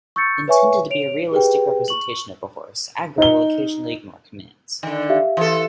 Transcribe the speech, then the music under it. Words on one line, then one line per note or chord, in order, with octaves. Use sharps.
Intended to be a realistic representation of a horse, Agro will occasionally ignore commands.
C#6 E6 G6 A6 C#7
B4 C#5 E5 G#5 C#6
C#5 D7 F7
G4 G#4 B4 G5
C#6 F#7
D#4 G7
D3 D#3
G4 E5 F5
E3 A4